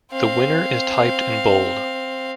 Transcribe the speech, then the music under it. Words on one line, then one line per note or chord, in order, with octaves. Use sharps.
The Winner is typed in bold.
C4 F5